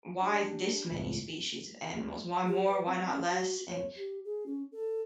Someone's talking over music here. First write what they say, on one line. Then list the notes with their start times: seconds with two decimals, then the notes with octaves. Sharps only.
why this many species of animals, why more, why not less," and
0.22 D4 G4
0.90 C#2 A2
2.47 G4
2.68 B4
2.86 C4
3.10 C#4
3.29 F#4
3.70 C#5
3.96 G4
4.25 G#4
4.46 C#4
4.72 A4